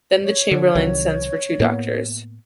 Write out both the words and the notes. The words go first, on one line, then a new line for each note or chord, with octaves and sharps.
Then the chamberlain sends for two doctors.
C#5
D3
C2 D#3 F#3
A2 A#3 B3